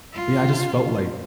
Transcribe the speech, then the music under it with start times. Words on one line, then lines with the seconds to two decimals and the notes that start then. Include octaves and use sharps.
but, yeah, I just felt I
0.14 F4